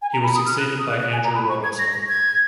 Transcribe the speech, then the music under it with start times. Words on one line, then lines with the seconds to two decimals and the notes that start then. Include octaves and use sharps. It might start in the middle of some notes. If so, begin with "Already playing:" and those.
He was succeeded by Andrew Robertson.
0.02 G#5
0.13 A#5
0.24 B5
0.35 D#6
0.46 F6
0.57 F#6
0.79 D#6
0.90 F#6
1.01 F#6
1.13 G#5
1.24 A#5
1.35 B5
1.49 C#6
1.64 G#6
1.79 A#6
1.94 A#6
2.08 G#6